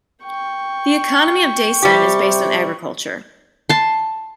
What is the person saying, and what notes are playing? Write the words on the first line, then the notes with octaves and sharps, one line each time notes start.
The economy of Daisen is based on agriculture.
G5 C#6
C3 G3 G4
A5 C6